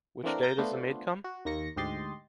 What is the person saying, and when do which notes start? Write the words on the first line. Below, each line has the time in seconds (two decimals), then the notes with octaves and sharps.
Which day does the maid come?
0.23 E3 A3 A#3 C4 D4 A#4
0.42 A#4 G6 A6 A#6
0.58 A3 B3 D4 F4 C5
1.24 F#4
1.45 D#2 A#3 A#6 C#7
1.76 D2 G#2 G4 D#5 C6 A6